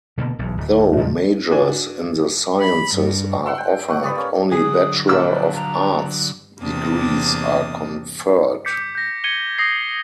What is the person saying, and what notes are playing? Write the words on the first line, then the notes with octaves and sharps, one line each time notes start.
Though majors in the sciences are offered, only Bachelor of Arts degrees are conferred.
B2 D3 A3 A#3
E1 B1 E2
D1
E2 A#2 F3 F#3
D4 F#4 G#5
B5
G2
F#5 C6 E6
G5
A3 F#5
G3 B3 D5 B5
A#3 C#4
D3 F#3 G#4 D#6
A#1 C5 E6 F6
A#5
E2 C3 A#3 D4 D#6
D6 G6 B6 C#7
G6 A#6
G#6 C#7 D#7 G7
D#6 A#6 C7